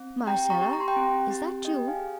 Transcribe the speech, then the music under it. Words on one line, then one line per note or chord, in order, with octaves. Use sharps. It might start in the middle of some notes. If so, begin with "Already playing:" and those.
"Marcella, is that you?"
Already playing: C4
G4 G5 A#5
A#5 C#6
G4
A#5
C6
G5 A#5
C4
G4
G#4 D#5 G5
F5 G#5
G#4